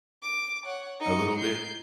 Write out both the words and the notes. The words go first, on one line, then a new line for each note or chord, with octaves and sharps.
a little bit,
D6
C#5 F#5
D#4 C#7
G6 C7